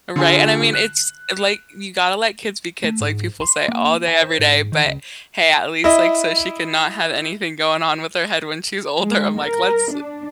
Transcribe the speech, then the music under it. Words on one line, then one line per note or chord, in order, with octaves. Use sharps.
Right, and I mean, it's, like, you gotta let kids be kids, like people say all day, every day, but hey, at least, like, so she can not have anything going on with her head when she's older, I'm like, "Let's
D3 F4 G#4
F#6
A3
G#2
C6
A#3
G#5
C5
G#2
D#3
C#2
E4 D#5
G#3
A#4
D4